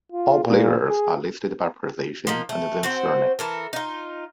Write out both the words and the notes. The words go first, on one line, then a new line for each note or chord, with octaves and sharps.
All players are listed by position and then surname.
F4
A#2
G#4
F3 A#3 D#4
A3
C4 F#4 C5
E3 A4 A#4
D#4 F4